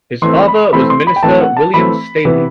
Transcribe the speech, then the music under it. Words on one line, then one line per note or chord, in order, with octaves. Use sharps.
His father was minister William Staley.
E3 A3 C4 C6
B5
E3 A3 C4 B5
C6
B5
G5
E3 A3 C4 A5
F#5
A5
E3 A3 C4 B5
C3 E3 B3